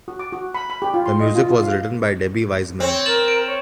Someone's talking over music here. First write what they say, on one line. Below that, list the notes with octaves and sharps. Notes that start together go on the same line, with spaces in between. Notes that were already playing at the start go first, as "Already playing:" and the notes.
The music was written by Debbie Wiseman.
F#4
D6
F#4
B5
B5
G4
F4
C6
D#5
F4
F4
F5
C4 C#5
A#4 A6 E7 F#7
D7 E7
C#5